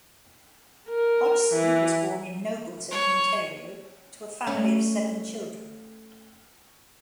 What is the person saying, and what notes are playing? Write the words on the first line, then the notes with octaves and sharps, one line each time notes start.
Hodgson was born in Nobleton, Ontario to a family of seven children.
A#4
E3
C#5
A3 C#4